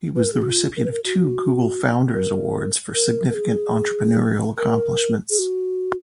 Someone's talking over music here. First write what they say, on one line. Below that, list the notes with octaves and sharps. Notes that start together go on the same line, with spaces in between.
He was the recipient of two Google Founders' Awards for significant entrepreneurial accomplishments.
B4
A#4
G#4
F#4
F4
A#4
B4
A#4
F#4
A#4
A#4
A#4
G#4
A#4
G#4
F#4